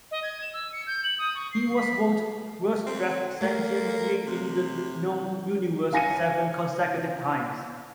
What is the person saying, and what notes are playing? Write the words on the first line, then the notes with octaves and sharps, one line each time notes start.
He was voted "Worst Dressed Sentient Being in the Known Universe" seven consecutive times.
D#5
G#6
E7
E6
C#7
G6
F#7
D#6
C#6
C7
B6
C4
A3 A#3
C3
F5 G#5 A#6 C#7 D#7